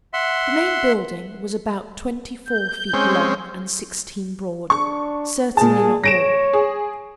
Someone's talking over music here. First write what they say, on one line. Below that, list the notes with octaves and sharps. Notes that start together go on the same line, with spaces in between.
The main building was about twenty-four feet long and sixteen broad--certainly not more.
E5 F#5 C6
G6
G#3 C4 C#4
D4 C#6
A#2 G#4 A5
C#5 A#6 D7 E7
G#4